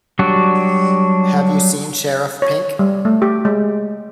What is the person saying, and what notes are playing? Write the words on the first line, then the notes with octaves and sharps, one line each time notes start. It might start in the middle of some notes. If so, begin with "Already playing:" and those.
Have you seen Sheriff Pink?
F#3 G3 D4 F#4
C#5
G3
A3
G4
G#3